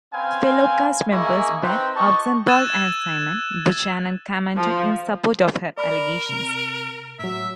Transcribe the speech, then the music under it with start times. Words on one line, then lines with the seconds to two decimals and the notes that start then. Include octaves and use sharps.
Fellow cast members Ben Oxenbould and Simone Buchanan commented in support of her allegations.
0.14 C4 C#4 B4 F5 G#5
1.12 A#3 E4 G#4 D#5 G#5 C#6
1.63 C4 D#4 B4
1.96 G4 D#5 A5 C#6
2.48 E6 F#6 G#6 A6 D#7 E7
4.55 F3
5.78 A#4 D5 B5 F6
6.29 C3
7.19 A2 F#3 E5